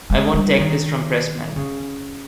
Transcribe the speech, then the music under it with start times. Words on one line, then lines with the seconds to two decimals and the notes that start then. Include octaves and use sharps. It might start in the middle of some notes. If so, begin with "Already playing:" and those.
I won't take this from Pressman.
0.10 G#3
0.34 G3
0.59 D#3
1.56 C#3